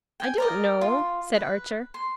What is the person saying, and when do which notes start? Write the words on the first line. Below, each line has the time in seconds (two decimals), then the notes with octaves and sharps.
"I don't know," said Archer.
0.20 G5 G#5
0.38 A#4 D5 D#5
0.81 F4
1.36 B4
1.94 C6